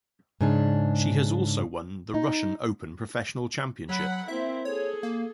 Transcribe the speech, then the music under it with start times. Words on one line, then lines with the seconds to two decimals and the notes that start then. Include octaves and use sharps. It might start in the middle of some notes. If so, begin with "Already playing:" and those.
She has also won the Russian Open Professional Championship.
0.41 G#2 C#3 D4
2.14 D#4
3.89 F#3 F#5 B5
4.28 A#3 C4 E4 E5
4.65 G#4 A4 C#5
5.03 A#3